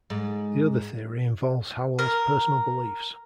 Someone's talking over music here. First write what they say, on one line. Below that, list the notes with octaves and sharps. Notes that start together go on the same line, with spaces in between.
The other theory involves Howell's personal beliefs.
G#2
A#4